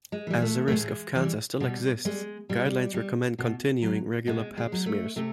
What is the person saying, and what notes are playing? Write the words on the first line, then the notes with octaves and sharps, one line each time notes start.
As a risk of cancer still exists, guidelines recommend continuing regular Pap smears.
G#3
E3 G3
A3
A3
A2 G#3
E3 G3
B2 G3
G3 G#3
B2 G3
G3
B2
F#3
B2 G#3
G#3
F#3
A3
C3 A3